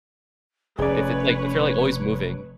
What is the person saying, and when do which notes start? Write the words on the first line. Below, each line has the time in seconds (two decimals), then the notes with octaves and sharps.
If it's, like if you're, like, always moving.
0.78 F1 C#4 G#4 B4 C#5 D5